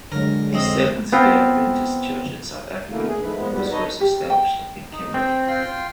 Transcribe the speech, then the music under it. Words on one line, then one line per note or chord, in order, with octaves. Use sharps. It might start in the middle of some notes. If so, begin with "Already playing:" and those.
The Seventh-day Adventist Church in South Africa was first established in Kimberley.
D3 F#3 G#3 A#4
F2 C4 D#5
B3 C4 F4 G5
B2 D3 E3 A3 A#3
D2 G#4
D#3 F3 G#3 A3 B4
A#2 F3 G#3 B3
E2 G#2 B2 G3 B3
D#4 A4 B4 C#5 D#5 A#5
G4
G5
D#4
C4 G5
F4 G5 C6